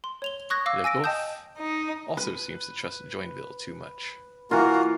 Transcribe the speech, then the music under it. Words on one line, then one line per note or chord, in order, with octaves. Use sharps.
Le Goff also seems to trust Joinville too much.
C6
C#5 F7 G7
C#6 D#6 F#6 G#6 A#6
F5 D6 E6 A#6
G#5 E6 A#6 D7
D#5 G5 A5 D#6 G6
D#4
B4
E3 A#3 F4 F#4 A#4